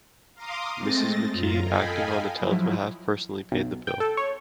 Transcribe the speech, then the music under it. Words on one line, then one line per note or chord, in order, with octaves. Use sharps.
Mrs. McKie, acting on the town's behalf, personally paid the bill.
F5 A#5 C6 D6 D#6
G#3 A3 C4 D#5 A6 A#6
F#2 F4 A#5
A4 D#5 F5 G5 G#5 B5
F3 F#3 E4
B1
G5
A4
C#5